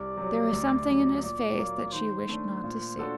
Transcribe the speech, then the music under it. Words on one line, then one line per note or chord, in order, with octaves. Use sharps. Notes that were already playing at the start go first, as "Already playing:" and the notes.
But there was something in his face that she wished not to see.
Already playing: C2 D5
C3 F#3
D2
C3 F#3
A#2 D5
F#3 A#3
D#3 C5
A3 D4
A#2
D4 F#4 A4